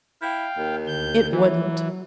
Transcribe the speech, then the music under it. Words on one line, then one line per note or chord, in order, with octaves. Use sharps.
It wouldn't.
E4 F5 G5
D#2
D2 G6
E3 F#3